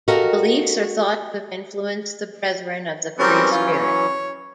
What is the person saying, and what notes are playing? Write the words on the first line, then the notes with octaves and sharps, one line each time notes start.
The beliefs are thought to have influenced the Brethren of the Free Spirit.
F#4 G4 A4 A#4 D#5 F5
E3 F#3 G3 C4 C#4 A#4
F4
C#5